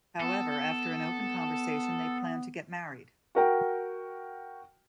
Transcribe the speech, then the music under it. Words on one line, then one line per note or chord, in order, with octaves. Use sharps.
However, after an open conversation they plan to get married.
B3 A4
F#4 A#4 G5